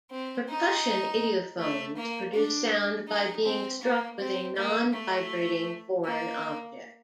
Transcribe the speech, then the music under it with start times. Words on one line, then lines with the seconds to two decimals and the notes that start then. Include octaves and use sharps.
Percussion idiophones produce sound by being struck with a non-vibrating foreign object.
0.11 C4
0.48 D#4
1.59 A3
1.96 A#3
2.33 D4
3.08 D#4
3.44 C4
3.82 A#3
4.19 C4
4.56 A#3
4.93 A3
6.04 A#3